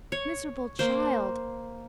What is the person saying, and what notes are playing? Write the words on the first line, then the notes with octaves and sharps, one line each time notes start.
Miserable child!
C#5
A#3 C5